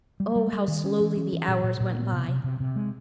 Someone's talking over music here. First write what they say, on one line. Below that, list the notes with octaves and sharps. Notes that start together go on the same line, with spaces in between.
Oh, how slowly the hours went by!
G3
G3
G3
D#3
C#4
E3
C#4
E3
A#2
A#2
A#2
B3
C3
C3
C3
C3
G#3